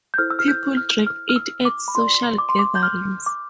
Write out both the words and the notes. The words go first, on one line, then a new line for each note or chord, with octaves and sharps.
People drank it at social gatherings.
G6
E4 A4 C5 F6
E6
F6
G6
F6
F6
F6
E6
D6
B5
F4 A4 D5 C6
D6
C6
D6
G6
F6
D6